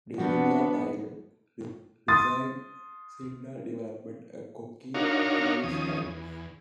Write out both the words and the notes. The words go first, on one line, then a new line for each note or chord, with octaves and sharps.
During their title reign, Sydal developed a cocky, heelish attitude.
G2 F3 G3 B3 D4 F#4
C6 D#6 A6
D4 D#4 F#4 A#4 C#5 F5
D#2 F3 C#4 D#6
E2